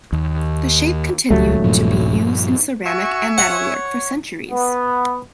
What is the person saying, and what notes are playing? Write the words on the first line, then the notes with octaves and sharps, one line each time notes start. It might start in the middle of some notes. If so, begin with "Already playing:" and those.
The shape continued to be used in ceramic and metalwork for centuries.
D#2
D#1 C#2 F#3 A3
G2 A#2 F3
F#4 E5 G#5 C#6
C#5 F#5
B3